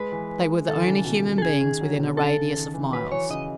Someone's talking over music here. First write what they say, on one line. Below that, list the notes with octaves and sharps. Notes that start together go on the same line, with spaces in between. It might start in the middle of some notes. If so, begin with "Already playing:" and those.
They were the only human beings within a radius of miles.
Already playing: G#3 B4
E3
D#3 A4
E3
C#3
B2
A4
C#3 G#4
D#3
F#3
B2
C#3 A4
D#3
E3
F#3 B4
E3 C#5
C#3 D#5